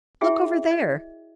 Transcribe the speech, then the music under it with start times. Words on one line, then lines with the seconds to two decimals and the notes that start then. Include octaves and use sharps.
Look over there!
0.21 E4 F#4 G#4 C#5 E5 G5
0.71 D#5